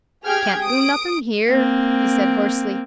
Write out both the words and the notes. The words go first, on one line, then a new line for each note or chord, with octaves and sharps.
"Can't do nothin' here," he said hoarsely.
G4 G#4 G5 F6 G#6
D#6 D7
A#3 C4